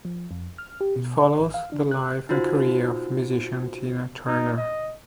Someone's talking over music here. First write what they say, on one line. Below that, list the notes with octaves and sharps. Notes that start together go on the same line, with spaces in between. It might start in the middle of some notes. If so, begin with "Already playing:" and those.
It follows the life and career of musician Tina Turner.
F3
F2
F6
G4
B2
D5
A1
F5
D4
F#6
D#4 F4 F#4 C5
D#4
D#5